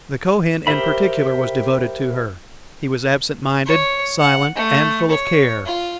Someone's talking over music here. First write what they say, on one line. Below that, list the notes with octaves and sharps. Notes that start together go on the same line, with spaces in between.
The Kohen in particular was devoted to her. He was absent-minded, silent, and full of care.
G4 A#4 C5 E5 B5
C#5
F#5
A3
C#5
F4